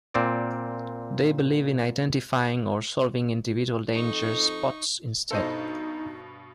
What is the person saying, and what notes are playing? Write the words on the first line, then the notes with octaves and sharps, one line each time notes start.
They believe in identifying or solving individual danger spots instead.
A#2 C4 D5
F2 D#4 A4 C#6
G2 B2 D#4 A4 C5 D#5